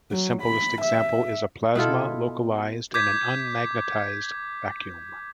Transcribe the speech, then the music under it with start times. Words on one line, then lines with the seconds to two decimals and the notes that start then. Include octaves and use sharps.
The simplest example is a plasma localized in an unmagnetized vacuum.
0.11 F#3
0.43 B5
0.82 E5
1.76 B2 E4 F4 A4
2.94 D6 G6 G#6 B6